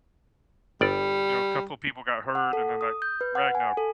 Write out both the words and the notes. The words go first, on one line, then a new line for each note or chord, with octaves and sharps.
you know, a couple of people got hurt, and then that Ragnar,
G1 G3 D5
F#5
A4
D#6
G6
B4
F#5
G#5
A4